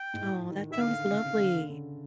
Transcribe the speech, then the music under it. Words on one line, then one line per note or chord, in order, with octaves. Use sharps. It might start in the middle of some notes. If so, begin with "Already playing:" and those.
Aw, that sounds lovely,
Already playing: G5
G#2
A2
D#3
D#3 E5
D3 F5
C3
C#3
D3
D3
C#3